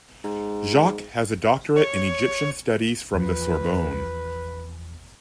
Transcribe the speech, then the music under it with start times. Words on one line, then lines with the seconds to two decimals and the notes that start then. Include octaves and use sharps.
Jacq has a doctorate in Egyptian Studies from the Sorbonne.
0.24 G#2
1.76 C#5
3.14 E2 F3 B4